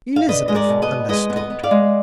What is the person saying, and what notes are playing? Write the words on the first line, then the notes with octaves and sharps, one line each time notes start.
Elizabeth understood.
F5
D4 B4 D#5
G#3 D#5
A#4 D5
B2
B4 D#5
B3
G#3 B4 D#5
B3
B4 D#5
B3
D5 F5
G#3